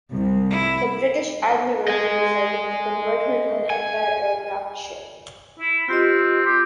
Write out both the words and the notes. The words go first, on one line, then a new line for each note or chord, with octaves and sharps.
The British Admiralty decided to convert her to an anti-aircraft ship.
C2
E4
D#5 G#5
G#5
E4
C4 F4 G4 D#5
G4